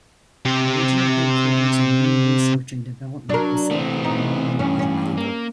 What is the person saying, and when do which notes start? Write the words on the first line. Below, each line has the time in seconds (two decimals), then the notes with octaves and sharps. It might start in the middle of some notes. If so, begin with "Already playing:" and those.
Original headquarters and main research and development facility remain in Italy.
0.45 C3 G4
3.29 F#3 D4 A#4
3.71 E3 A3 B3 C4
4.04 D#4
4.59 G2 C#4
4.79 C#4
5.17 A#3